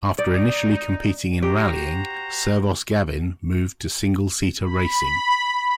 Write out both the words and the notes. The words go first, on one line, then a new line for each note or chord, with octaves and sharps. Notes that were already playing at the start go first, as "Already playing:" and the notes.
After initially competing in rallying, Servoz-Gavin moved to single-seater racing.
D#4 D5
F#4 G4 C5 A#5
B5